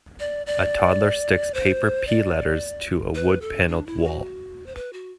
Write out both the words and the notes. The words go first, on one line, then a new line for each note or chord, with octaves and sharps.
A toddler sticks paper P letters to a wood paneled wall.
D5
D5
C5
D5
B4
A4
D4
E4
F#4
C5
B4
F#4